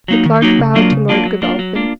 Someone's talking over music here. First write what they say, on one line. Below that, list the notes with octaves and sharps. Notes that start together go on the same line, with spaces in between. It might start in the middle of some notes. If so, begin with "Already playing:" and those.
The Clerk bowed to Lord Godolphin.
F#3 A#3 D#4
D#3
F#3 A#3 D#4
C#3
F#3 A#3 D4 F4
C#3
F#3 A#3 D4 F4
F#3
A#3 D4 F4
F#3
A#3 D4 F4